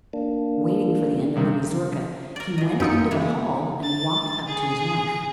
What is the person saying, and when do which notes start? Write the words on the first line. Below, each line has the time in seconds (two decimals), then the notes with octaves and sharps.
Waiting for the end of the mazurka, he went into the hall and walked up to his wife.
0.13 A#3 D4
1.36 G2 C3 D#3
2.36 A#4 D5
2.58 D#3 D#5
2.80 F#2 D#4 F4 G4 C#7
3.11 C#3 E3 G#3
3.83 A6
4.46 G#4